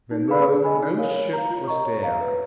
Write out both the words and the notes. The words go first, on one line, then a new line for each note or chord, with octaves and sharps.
When lo! no ship was there!
D#4
G#4 B4 F5 B5
G#4
D#5 G#5 B5
D#4
A#4 C#5 F5
C#5
F5 A#5
F4
A#4 D#5 A#5 C#6
C#5
F5 A#5
B4